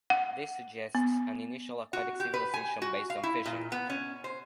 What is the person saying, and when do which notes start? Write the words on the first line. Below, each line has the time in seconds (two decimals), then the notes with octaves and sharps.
This suggests an initial aquatic civilisation based on fishing.
0.10 F#5
0.95 B3
1.93 F#4
2.20 G4
2.34 B4
2.54 G#5
2.82 F#4
3.10 F5
3.23 E4
3.46 A#2
3.72 B3
3.90 C#4
4.24 C5